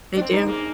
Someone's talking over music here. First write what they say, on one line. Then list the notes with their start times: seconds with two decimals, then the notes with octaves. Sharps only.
They do.
0.17 D4
0.21 C4
0.33 D#4
0.46 A#3 G#4